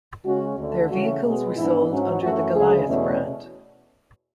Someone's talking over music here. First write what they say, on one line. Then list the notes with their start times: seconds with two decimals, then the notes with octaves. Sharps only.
Their vehicles were sold under the Goliath brand.
0.25 C#3 G#3 C#4 F#4
0.57 D2 D3 A3
0.90 C#3 E3 A3 C#4 F#4
1.23 B2 G#3 B3
1.56 G#2 E3 B3 D4 E4
1.89 G#2 F#3 C#4
2.21 F#2 E3 A3 C#4 F#4
2.54 D2 C#3 G#3 G#4
2.87 E2 B2 A3 C#4